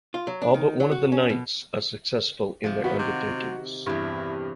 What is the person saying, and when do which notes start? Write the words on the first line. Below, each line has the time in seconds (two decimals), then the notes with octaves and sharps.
All but one of the knights are successful in their undertakings.
0.14 F4
0.27 F#3
0.42 D4
0.54 D#3
0.80 F#3
0.91 F#4
1.12 C#4
1.29 B2
2.64 C3 F3
2.84 D#3 B3 F#4
2.99 C3
3.86 E2 G2 C3 E4